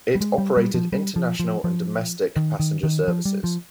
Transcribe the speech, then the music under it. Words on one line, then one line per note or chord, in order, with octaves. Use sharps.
It operated international and domestic passenger services.
G3
G#3
G3
G3
F3
G3
F3
F3
F3
D#3
D#3
D#3
F3
G3
F3